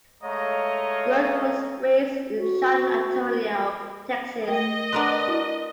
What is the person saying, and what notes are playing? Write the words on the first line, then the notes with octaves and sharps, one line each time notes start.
Grote was raised in San Antonio, Texas.
G#3 A3 C#5 D#5 F5 A#5
F#4
A3 A#4 D#5 G5
D4 A#4 B4 F#5 A#5 C6
E4 F#4